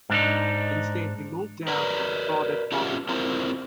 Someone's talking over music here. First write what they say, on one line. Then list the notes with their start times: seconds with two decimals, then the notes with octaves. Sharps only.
Instead he moved down and forded further downstream.
0.10 G#2 D4 D#4
1.67 A#4 B4 D5 A#5
2.72 C#4 F4 G4 E5 F#5 A5
3.09 C4 E4 F4 A#4 C5